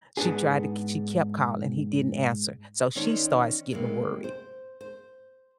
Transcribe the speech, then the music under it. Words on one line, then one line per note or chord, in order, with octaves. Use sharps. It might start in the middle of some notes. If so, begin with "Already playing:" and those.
She tried to k she kept calling. He didn't answer. So she starts getting worried.
G#2 B3 D4 G#4
D#3 C#4 D4 C5 C#5
C3 F#3 G#3 A#3 B3
C5
C5